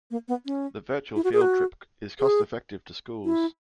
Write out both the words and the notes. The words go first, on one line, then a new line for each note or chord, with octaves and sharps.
The virtual field trip is cost effective to schools.
A#3
B3
C#4
E4
F#4
G#4
F#4
G#4
E4